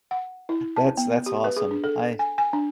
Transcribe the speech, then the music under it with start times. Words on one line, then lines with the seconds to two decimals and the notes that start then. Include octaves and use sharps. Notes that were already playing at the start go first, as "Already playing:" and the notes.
That's that's awesome. I
0.11 F#5
0.49 E4
0.76 A5
0.97 B3
1.26 G4
1.44 B4
1.57 G#4
1.71 D4
1.84 A4
2.19 G#5
2.38 G#5
2.53 D4